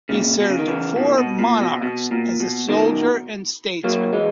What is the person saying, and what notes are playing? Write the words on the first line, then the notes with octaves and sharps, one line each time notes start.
He served four monarchs as a soldier and statesman.
A#2 C#3
B2
C#3
D#3
C#3 E3
B2 D#3
B2
A#2
B2
B2
A#2
B2
B2 D#3
F#3 A#3
E3 G#3